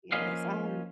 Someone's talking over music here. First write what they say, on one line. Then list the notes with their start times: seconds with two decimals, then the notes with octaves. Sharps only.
Yes. I'm
0.12 F3 A#3 C#4 B4 D#5 F5